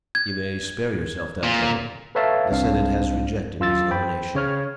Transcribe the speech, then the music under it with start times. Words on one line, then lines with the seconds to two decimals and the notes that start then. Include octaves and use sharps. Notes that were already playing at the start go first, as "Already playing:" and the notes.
"You may spare yourself that trouble; the senate has rejected his nomination."
0.15 G#6
1.43 A#2
2.15 A4 B4 C#5 E5 F5 A5
2.51 C2 C4 D4 F5
3.60 F#2 F4 E6 A6
3.91 C5 G5 B5
4.35 C#3 C#5 F6